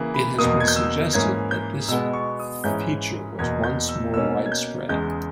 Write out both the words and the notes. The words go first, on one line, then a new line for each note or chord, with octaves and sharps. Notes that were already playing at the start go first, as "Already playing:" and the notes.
It has been suggested that this feature was once more widespread.
Already playing: C#3 E3 A#3
B5
E2 B2 A#3 D#6
G#6
G6
E6
G#2 E3 A#3 C#4 G#6
G6
B2 G#3 B3 E6
C#6
D#6
G#2 E3 G#3 C#4 G6
E2 B2 A#3 G#6
G6
E6
B2 A#3 C#4 E6
G#6
G6
E2 C#3 E3 G#3 G6